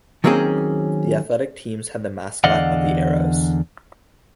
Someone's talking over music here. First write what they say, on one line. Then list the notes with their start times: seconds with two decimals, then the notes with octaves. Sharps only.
The athletic teams had the mascot of the Arrows.
0.24 D#3 F#3 A#3 C4 C#4 G#4
2.44 E2 D3 D5 D#5 F5 F#5